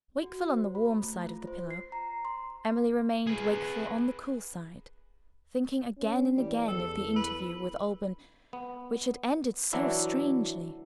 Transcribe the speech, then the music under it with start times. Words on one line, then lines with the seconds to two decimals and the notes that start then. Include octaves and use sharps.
Wakeful on the warm side of the pillow, Emily remained wakeful on the cool side--thinking again and again of the interview with Alban which had ended so strangely.
0.23 F#4
0.51 C5
0.75 B5
1.02 A3
1.16 F4
1.47 C5
1.71 C7
1.92 A#5
2.25 C6
3.27 G#4 B4
5.98 C#4
6.37 E3 G3
6.68 E2 A4
7.16 B4
8.53 B3
9.73 E3 F#3 D4 E4